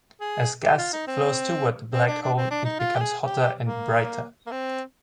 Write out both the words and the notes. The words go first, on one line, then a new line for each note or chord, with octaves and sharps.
As gas flows toward the black hole, it becomes hotter and brighter.
G#4
G4
F4
D#4
C4
C4
D4
D4
C4
D4
D#4
F4
G4
G#4
G4
A#3
A#3
C4